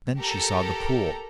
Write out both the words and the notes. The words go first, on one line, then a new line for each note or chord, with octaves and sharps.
Then she saw the pool.
G4 A4 A#4 A#5